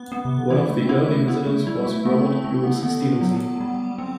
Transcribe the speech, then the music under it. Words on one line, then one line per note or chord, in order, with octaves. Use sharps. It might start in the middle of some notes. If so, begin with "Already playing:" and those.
One of the early visitors was Robert Louis Stevenson.
Already playing: B3
B3
C3
D3
E3 E4
A3
C4
B3 E4
A3
B3 E4
A3
G3 E4
A3
A3 B3
B3
C4
A3 C4
B3
D3 B3
F#3
G3
C4